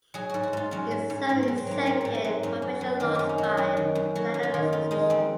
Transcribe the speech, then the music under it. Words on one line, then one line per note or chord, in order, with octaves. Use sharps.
He suffered his second professional loss by unanimous decision.
F#3 G#4
G#2 F#4
F#4
G#2 F4
F#3 C#4
F#3
G#2
G#2 C4
C4
F#3
C4
F#3 A#3
G#2 C4
G#2 C4
A#3
F#3
F#2 C#4
F#3
F#2
D#3 C4
F#2 C#4
D#4
F#3
F#4
F#2 F#4
D#3
F#2
F#3 F#4
F#2
F4
D#3
F2 F4
G#3 D#4
F2 C4